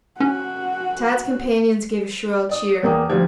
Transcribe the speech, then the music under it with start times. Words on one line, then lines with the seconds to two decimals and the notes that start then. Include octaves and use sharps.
Tad's companions gave a shrill cheer.
0.20 C#4 F#4
2.49 D5 D#6
2.83 E2 A#3 G5 D6 D#6
3.10 D2 F3 G3 D4 G#6